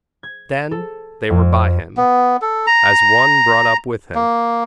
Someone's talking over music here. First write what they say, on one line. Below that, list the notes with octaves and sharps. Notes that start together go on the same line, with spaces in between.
Then they were by him, as one brought up with him.
G#6
A4
F2
B3
A4
A#5
A#3